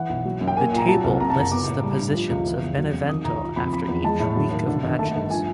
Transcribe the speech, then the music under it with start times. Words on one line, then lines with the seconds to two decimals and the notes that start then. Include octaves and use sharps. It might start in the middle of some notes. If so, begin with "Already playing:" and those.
The table lists the positions of Benevento after each week of matches.
Already playing: E3 F#5
0.09 B1
0.25 F#3
0.41 F#2
0.48 G5
0.57 A#3 G#5
0.72 A#2
0.78 A#5
0.88 F#3 A5
1.04 C2
1.20 C3 A#5
1.30 A5
1.36 F#1 A#5
1.52 B3 D6
1.67 A2
1.83 G3
1.99 G2
2.15 F3
2.31 C#2
2.46 E3
2.62 E2
2.78 F#3
2.94 F2
3.09 D#3 D#6
3.25 C#2 A#5
3.41 F3 A#5
3.56 F2 B5
3.72 F3 B5
3.88 E2
4.04 G#3 A5
4.20 A2
4.36 F#3
4.51 D#2
4.67 D3
4.83 G#1
4.99 A3 A5
5.15 G2
5.30 F3 G#5